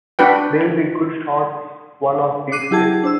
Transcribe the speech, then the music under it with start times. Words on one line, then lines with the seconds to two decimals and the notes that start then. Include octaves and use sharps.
They’ll be good shots one of these days.
0.19 D4 F#4 B4 G5
2.52 D6 F#6 C7 D#7
2.71 F#3 E4 G4 G#4 A5 G#6
3.03 D4 C5 E6